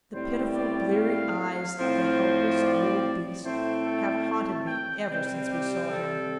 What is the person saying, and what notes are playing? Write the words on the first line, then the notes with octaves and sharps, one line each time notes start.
The pitiful bleary eyes of the helpless old beast have haunted me ever since we saw him.
A2 G3 C4 C5
D5
F5
A2 F3 C4
D5
A2 A3 C4 C5
A4
A5
G5
C3 G3 C4 G5
G4
A4